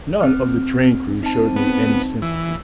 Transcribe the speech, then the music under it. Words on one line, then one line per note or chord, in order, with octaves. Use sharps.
None of the train-crew showed me any sympathy.
C4 F6
C4 D#4 A5
B3
E3 E6